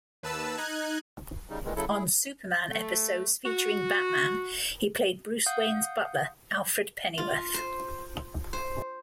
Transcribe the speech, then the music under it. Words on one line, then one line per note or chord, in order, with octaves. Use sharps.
On "Superman" episodes featuring Batman, he played Bruce Wayne's butler, Alfred Pennyworth.
D#2 B4 A5 E6
D#4 F#6 G#6
C#3 G3 D#4
A#2 D#3 E3 G#3
C#3 F#3 E4 A4
E4 G#4
A3
F#4
F5 F#5 D#6 G6
F4
C5
C5